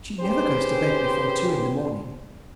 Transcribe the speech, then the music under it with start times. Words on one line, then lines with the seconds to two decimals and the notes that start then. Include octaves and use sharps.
She never goes to bed before two in the morning.
0.21 C#4 G4 G#4 B4 C5